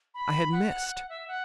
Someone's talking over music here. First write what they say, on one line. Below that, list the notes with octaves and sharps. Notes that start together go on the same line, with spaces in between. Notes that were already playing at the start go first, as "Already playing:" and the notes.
I had missed!
B5
F#5
F#5
E5
F#5